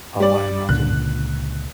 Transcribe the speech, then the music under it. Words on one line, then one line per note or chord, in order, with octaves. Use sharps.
Oh, I imagine.
G3 D5
C#2 A#2 D3 F#6